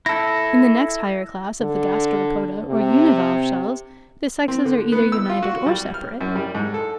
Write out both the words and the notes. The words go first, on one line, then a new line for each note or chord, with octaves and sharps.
In the next higher class of the Gasteropoda, or univalve shells, the sexes are either united or separate.
E4 A4 A#6
D3
C3
C4
D3
B3
E6
F4
F#4
G3
F6
F#2
G3
G#2
A4